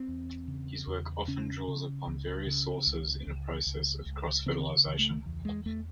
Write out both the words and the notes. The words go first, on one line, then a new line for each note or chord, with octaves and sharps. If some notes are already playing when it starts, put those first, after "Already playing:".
His work often draws upon various sources in a process of cross-fertilization.
Already playing: C4
E2
C#3
E2
C#3 C#4
C#3
C#2
C#3
C#2
C#2
C#2
C#2
C#3 C4
C#2
A3
E2
G#3
E2 A3